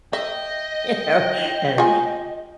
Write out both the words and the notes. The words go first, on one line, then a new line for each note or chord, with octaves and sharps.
you know, and,
D#5 E5 G5
F4 G#5